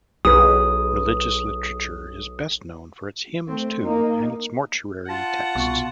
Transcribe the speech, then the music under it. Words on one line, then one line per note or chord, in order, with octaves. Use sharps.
Religious literature is best known for its hymns to and its mortuary texts.
B1 G#4 B4 D#6
A3 C4
A#3 D#4
F4 F#5 A5
C2 B2 C#6